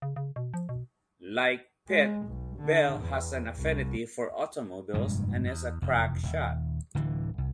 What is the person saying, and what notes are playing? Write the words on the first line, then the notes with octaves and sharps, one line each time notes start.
Like Pitt, Bell has an affinity for automobiles and is a crack shot.
C#3
C#3
B2
F3
B2
G#3
B1
D3
E2
C2
F1 G2 A#2 G#3
E2
F1 E2
D#1
D1 D3 E3
C2